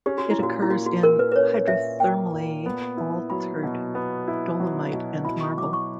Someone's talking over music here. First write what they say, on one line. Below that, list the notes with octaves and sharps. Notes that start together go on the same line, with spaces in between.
It occurs in hydrothermally altered dolomite and marble.
C#4 G4
F#4
E4
A#2 F#4
E4
A#3 F#4
F#4
A#2 A#4
B4
B4
C#4 C#5
A#2 E5
A#3 G5
A#2
B3
E4
F#3 B5
B2
B3
E4
F#3
B2
E4 B5
C#6
F#3 D6
C#6